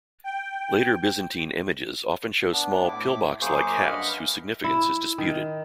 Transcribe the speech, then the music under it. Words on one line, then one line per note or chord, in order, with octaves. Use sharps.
Later Byzantine images often show small pill-box like hats, whose significance is disputed.
G5
B3 D4
A2 E4 D6
F#2 A#3 G#4 C5 C#6 D6
G2 D#5 E5 F#5 B5 F6
E4
D#3